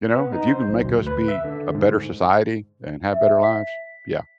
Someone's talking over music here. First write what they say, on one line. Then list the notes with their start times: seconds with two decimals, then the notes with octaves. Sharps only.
You know, "If you can make us be a better society and have better lives? Yeah,
0.15 B3
0.33 D#4
0.48 C5
0.69 B1
0.85 D2
1.07 B4
1.28 E5
1.44 D3
1.74 G#2
3.13 E5
3.43 B6